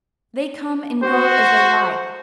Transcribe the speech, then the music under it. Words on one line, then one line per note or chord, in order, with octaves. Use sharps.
They come and go as they like.
F#4 C5